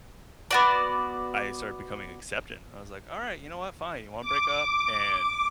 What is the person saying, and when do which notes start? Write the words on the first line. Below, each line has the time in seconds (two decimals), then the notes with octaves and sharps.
I started becoming acceptant. I was like, "Alright, you know what? Fine, you wanna break up?"and,
0.51 B3 F#4 D5
4.21 D6